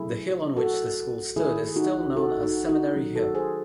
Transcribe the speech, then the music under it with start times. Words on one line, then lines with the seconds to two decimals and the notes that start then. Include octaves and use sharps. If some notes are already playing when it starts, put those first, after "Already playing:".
The hill on which the school stood is still known as Seminary Hill.
Already playing: C3 F#3 A3 E4 G#4
0.57 F#4 A4
1.36 D#3 A3 E4 G#4
1.76 D#4 F#4
2.16 F#4 A4
2.43 D#4 F#4
2.69 D#4 F#4
2.96 D#3 F#3 A3
3.15 F#4 A4
3.35 G#4 C5